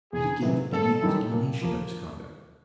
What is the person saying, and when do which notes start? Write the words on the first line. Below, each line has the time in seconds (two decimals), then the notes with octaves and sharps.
"Did he give any explanation of his conduct?"
0.13 E2 G#4
0.42 C3 D#3 F#3 B3
0.72 G#1 A4
1.02 F#2 D#3 G3
1.32 A#2
1.62 F3 A#3